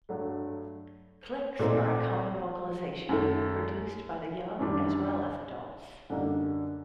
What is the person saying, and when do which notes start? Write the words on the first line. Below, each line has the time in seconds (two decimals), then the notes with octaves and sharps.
'Click's are a common vocalization, produced by the young as well as adults.
0.09 G2 F#3 A3
1.59 A#2 A3 C4 D#4
3.09 F#2 D#3 A3
4.59 F#2 D#3 G3 D4
6.10 F#2 D3 G3 A#3 D#4